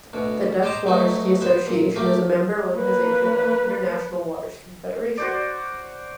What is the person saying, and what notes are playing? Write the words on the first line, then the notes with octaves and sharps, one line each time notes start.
The Dutch Waterski Association is a member organization of the International Water Ski Federation.
D2 B2
G4 C5 D#5 G5 A5 A#5
F#3 A3 B3 D#4
B3 C5
A#2
A3 A#3 G4
A#3 B4
F#4 C5 D5